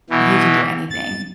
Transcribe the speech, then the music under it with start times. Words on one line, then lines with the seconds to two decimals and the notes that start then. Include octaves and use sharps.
You can do anything,
0.10 B2 E3
0.90 A6